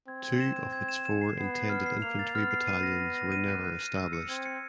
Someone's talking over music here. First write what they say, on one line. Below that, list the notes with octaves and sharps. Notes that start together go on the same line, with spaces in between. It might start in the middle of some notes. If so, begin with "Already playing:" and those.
Two of its four intended infantry battalions were never established.
C4 G#6
G#6
E7
G#6
G#6
E7
E7
C7
B3 C7
C7
F6
C7
A#3 F7
A6
B3 F6
C7
D#7
A#6
A#6
A#6
D#7
F#6
F#6
D#7
E6
C#7
C4 G#6
C#7